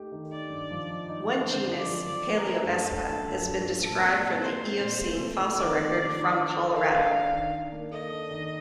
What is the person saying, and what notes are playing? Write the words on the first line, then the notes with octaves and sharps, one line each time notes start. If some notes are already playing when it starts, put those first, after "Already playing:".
One genus, "Palaeovespa", has been described from the Eocene fossil record, from Colorado.
Already playing: A3 D#4 G4
D#3
D#4 D5
G2
F3
D#4
D#4
C4
D3 C5
F3
D5
F3
F3 D5
A3
A#4
A3
G2 A4
G2
G2
G2
G2
G2
A#2 A4
C4
A#2
C4 C5
C4
A#2
A3
C3
C4
D#3 D5
D#3
D#3
D4
D4
A4
A4 F5
D4
D4
D#3
D4
A#3
A4 D#5
D4
D#3